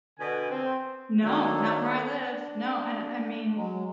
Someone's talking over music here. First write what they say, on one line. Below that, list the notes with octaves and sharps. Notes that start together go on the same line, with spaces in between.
No, not where I live. No, and I mean,
B2 D3 G#5
C4
D#3 A#3 D4 F#4 A4 C#5
D4
F#3 G#3